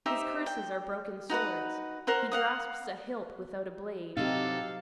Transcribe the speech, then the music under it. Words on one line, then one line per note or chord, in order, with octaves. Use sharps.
His curses are broken swords: he grasps a hilt without a blade.
D#4 G4 C5 E5
G5
D#4 F#4 B4 F#5
A#4 C5 F#5 C6
F5 F#5 D#6
C3 F#3 D#4 G4 A4 F5